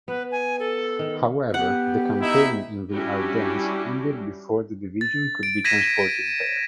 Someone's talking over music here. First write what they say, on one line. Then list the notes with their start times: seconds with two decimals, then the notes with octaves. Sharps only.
However, the campaign in the Ardennes ended before the division could be transported there.
0.08 B3 B4
0.32 G#5
0.59 A4
0.99 D#3
1.54 B3 G4 F#5
2.21 D#4 E4 E5
2.93 G3 C#4 D4 E4 F#4 G4
5.01 A6
5.43 D7
5.65 G#6 A#6 B6 D#7 E7
5.99 D7